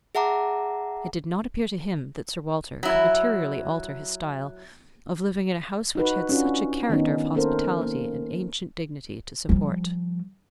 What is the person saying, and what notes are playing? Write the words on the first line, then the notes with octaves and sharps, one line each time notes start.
It did not appear to him that Sir Walter could materially alter his style of living in a house which had such a character of hospitality and ancient dignity to support.
G#4 E5 F#5 A5 A#5 D6
F#3 E4
D#4 F#4 B4
C#4 D4 F4 F#4
D#3 B3 C#4 D#4
A#3 C#4 A4 A#4 C5
A#3
F3 G3